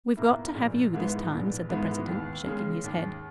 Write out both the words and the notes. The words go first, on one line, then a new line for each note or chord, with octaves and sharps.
"We've got to have you this time," said the president, shaking his head.
B2 A#3 E4
A#1
G#2 E3 G#3 B3
A#1
G#2 E3 G#3 B3
D#2
C#3 G#3
D#2